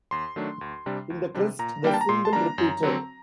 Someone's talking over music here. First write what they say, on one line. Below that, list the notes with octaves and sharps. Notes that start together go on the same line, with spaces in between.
In the crest the symbol repeated.
D#2 C6
D#3 F#3 A3 D4
D2
C3 G3 D4
D2
C3 G3 D4
A#2 A#5
G3 A#3 D4 G5
A5
A#5
A#2 C6
A5
G3 A#3 D4 A#5
F#2
D3 F#3 C4